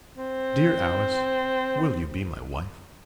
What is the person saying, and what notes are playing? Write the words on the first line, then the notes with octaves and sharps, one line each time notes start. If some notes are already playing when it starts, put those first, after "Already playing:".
Dear Alice, will you be my wife?
C4